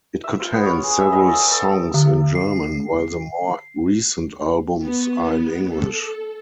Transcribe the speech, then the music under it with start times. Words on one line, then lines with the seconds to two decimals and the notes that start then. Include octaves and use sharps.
It contains several songs in German, while the more recent albums are in English.
0.24 E5
0.40 F4
0.53 B3
0.66 C#5
0.83 G#4
1.00 E5
1.12 D#5
1.28 A4
1.39 D#5
1.52 A4
1.94 D3
2.35 C7
4.83 B3
5.70 A4